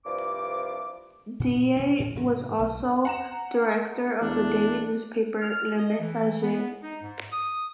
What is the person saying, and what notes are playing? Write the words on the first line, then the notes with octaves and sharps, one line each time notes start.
Ndiaye was also director of the daily newspaper "Le Messager".
C2 G2 F3 D6
A#2
B2 C#4
A2
G#2 C3 E3 F#3
B1 G#2
F#5 A#5 E7
E2 D4
F6
D#5
E3
B3
D#4
G#2
D#6